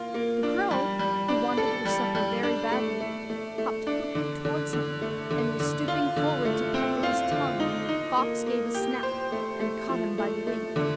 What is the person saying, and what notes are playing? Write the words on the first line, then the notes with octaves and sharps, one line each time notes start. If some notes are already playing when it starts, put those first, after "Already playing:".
The crow, who wanted her supper very badly, hopped quickly towards him, and was stooping forward to peck at his tongue when the fox gave a snap, and caught him by the wing.
Already playing: A#3 F4
A#3
D4
G3
G3
D4
A4
G3
G3
D4
A3
A3
A3
A3
D4
D3
D3
D3
A3
D3
D3
F4
D3
A3
C4
F4
D3
D#4
D#4
A#3
A#3
G4
C5
A3
A3
F3
A3
A3
D3